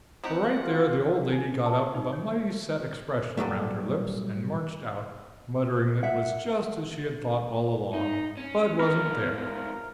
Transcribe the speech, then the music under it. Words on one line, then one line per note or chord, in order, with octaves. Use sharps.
For right there the old lady got up with a mighty set expression around her lips and marched out, muttering that it was just as she had thought all along--Bud wasn't there.
C4 D#4 G4 F#5
F4
G#5
A5
D#4
C#5
A#2 F#3 G3 A3
E5 F#5
D#4
C#4
C#2 B3 A#4